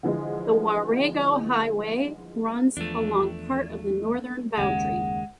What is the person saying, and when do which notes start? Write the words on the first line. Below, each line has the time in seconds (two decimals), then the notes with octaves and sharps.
The Warrego Highway runs along part of the northern boundary.
0.03 D3 E3 F3 G#3
2.77 E2 F3 A3 D4
4.57 F#1 D#2 C#3 G#3 F#5